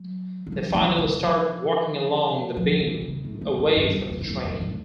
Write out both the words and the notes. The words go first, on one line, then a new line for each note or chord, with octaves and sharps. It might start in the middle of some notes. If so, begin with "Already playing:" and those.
They finally start walking along the beam away from the train.
Already playing: F#3
F#3
F3
D#3
E3
D3
F3
F3
E3
C#3
A2
G#2
G#2
G2
F2
E2
F#2
F2
F2
A2